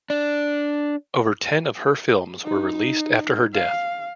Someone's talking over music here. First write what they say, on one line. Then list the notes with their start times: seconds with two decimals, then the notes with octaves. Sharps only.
Over ten of her films were released after her death.
0.10 D4
2.45 D#4
3.54 F5